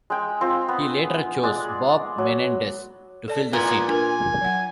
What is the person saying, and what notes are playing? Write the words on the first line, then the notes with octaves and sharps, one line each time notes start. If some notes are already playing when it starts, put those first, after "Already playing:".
He later chose Bob Menendez to fill the seat.
G#3 G5
C4 F4
B3
G#3 D5
F#3
A4 D5 A5
A#2 B3 G#5
D4 F4 A#4 G#5
F#3 F#5